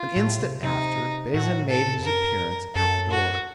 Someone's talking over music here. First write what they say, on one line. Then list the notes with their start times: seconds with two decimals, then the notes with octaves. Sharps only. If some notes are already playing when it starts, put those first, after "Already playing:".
An instant after, Bazin made his appearance at the door.
Already playing: F4
0.16 A2
0.40 C3
0.63 C3 D#4
1.34 A2 F#4
1.69 A4
1.99 F2
2.04 F#2 A#4
2.75 F#2 A4
3.11 F#4